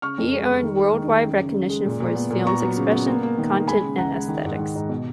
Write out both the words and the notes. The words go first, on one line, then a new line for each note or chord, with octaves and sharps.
He earned worldwide recognition for his film's expression, content, and aesthetics.
C#3 C#6 F6
F2
G#3
F2
D#3
G#3
D#3
D#3
F#2
C#3
C#3
G#3
A#2
A#2
B3
A#2
B3 A#5 C#6
F#3
C#3
B3
A#3
A#3
D#3
D#3
G#3 G#5 B5
C#3
C#2 F#5 A#5
G#3
D#3
G#2
D#3
G#2
B2